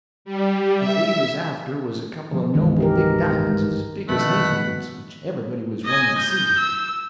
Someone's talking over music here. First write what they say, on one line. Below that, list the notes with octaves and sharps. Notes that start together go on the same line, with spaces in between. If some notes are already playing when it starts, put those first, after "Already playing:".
What we was after was a couple of noble big di'monds as big as hazel-nuts, which everybody was running to see.
G3
E5
D3 F3 B3
G1 C2 G2 D#3 E3 G#3
D#4 G4 A#4
F2 B2 D3 D#3 A3 F#5 B5 F#6
D#5 G#5
G6
E6